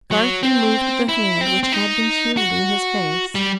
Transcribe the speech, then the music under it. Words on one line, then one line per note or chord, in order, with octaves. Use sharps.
Garth removed the hand which had been shielding his face.
F#3
C4
E4
C4
C4
D#4
F#4
G3